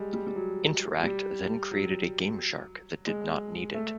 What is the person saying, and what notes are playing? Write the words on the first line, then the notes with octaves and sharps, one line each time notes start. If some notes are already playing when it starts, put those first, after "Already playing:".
InterAct then created a GameShark that did not need it.
Already playing: G3 G#3
G3
G3
F#3
G3
F#3
G#3
A3